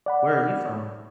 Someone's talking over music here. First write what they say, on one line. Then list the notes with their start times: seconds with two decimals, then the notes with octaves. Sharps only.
Where are you from?
0.06 D5 F#5 B5